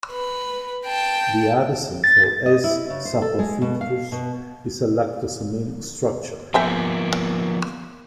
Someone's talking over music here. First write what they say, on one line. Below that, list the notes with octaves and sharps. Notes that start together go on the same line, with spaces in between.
The adhesin for "S. saprophyticus" is a lactosamine structure.
B4
G5 A5
D#5
E4
C#3
C5
A4
G#3
B2
F5
B2
F3 A#3 B3 E5 G5 G#5